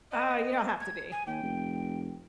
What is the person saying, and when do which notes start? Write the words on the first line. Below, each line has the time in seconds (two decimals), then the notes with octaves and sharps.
Oh, you don't have to be.
0.11 D#5
0.81 G#6
1.12 G#5
1.27 D#2 G5
1.43 F1